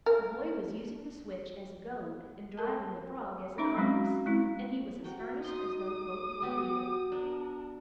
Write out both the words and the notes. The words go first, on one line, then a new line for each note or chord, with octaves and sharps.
The boy was using the switch as a goad and driving the frog as an ox, and he was as earnest as though both were real.
A#4
A4 A#4 A5
C#4 D#4 E5 A#5 B5
F#3 G#3 C4 C#4 F#4
G#3 C4 E4
F#4 A#4 G5
D#4 C6 D#6
B3 F#4 G4
D4 A#4